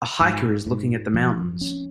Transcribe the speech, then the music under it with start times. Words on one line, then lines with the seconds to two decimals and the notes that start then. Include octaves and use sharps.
A hiker is looking at the mountains.
0.20 G#2
0.67 G#2
1.14 F3
1.61 C#4